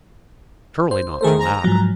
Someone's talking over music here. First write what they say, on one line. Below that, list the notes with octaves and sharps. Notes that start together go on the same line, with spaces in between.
Surely not the latter!
C5
D#3 A3 G#4 A#4 C5
A#5
G#2 F3 F#3